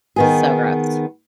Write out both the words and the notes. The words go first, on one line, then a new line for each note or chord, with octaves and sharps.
so gross.
D#3 B3 G#4